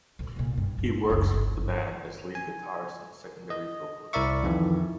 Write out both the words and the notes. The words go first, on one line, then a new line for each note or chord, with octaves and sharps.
He works with the band as lead guitarist and secondary vocalist.
D#1 D2
C2 A#2
G2
F3 G3
F#1 C#2
G1
G#5
D#5
C2 E4 A#4 D5 E5 C#6
F2 D#3 E3